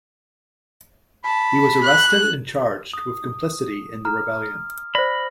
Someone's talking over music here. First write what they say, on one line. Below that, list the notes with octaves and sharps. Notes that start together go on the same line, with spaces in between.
He was arrested and charged with complicity in the rebellion.
A5 B5
F#6
D#6
A#5 F6
C5 D5 B5 A#6